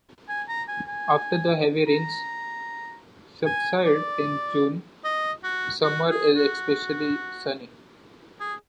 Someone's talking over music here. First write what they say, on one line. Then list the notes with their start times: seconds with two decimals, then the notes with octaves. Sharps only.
After the heavy rains subside in June, summer is especially sunny.
0.29 G#5
0.49 A#5
0.68 G#5
0.88 G#5
1.87 A#5
3.46 G#5
3.85 D5
5.04 D#5
5.44 F#4
5.83 F#4
6.10 G#4
6.36 F#4
8.40 G#4